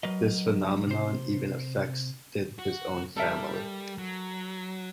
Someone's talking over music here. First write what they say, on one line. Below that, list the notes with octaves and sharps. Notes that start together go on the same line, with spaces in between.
This phenomenon even affected his own family.
F#3 A#4 B4 D#5
C3 C5
F#4
G3 A4 A#4 E5
F#3